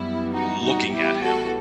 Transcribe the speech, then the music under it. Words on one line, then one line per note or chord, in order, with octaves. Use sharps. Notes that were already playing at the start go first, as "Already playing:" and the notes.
looking at him
Already playing: F#2 E3 G3 B3 E4
D#4 F#4
D#4 F#4
A1 A2 E3 G3 B3 E4 G4
F#4 A4